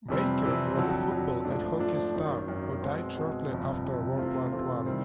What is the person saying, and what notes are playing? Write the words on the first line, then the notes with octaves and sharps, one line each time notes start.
Baker was a football and hockey star who died shortly after World War One.
F2 C3 E3 G3 C4
F2 C3 E3 G3 C4
F2 D3 F#3
F2 D3 F#3
G#2 F3 A3 D4
G#2 F3 A3 D4
G#1 F#2 D#3
G#1 F#2 D#3
B2 G#3 C4
B2 G#3 C4
G1 F2 C3
G1 F2 C3
C3 E3 A3 C4 F4
C3 E3 A3 C4 F4
C3 D#3 G3 C4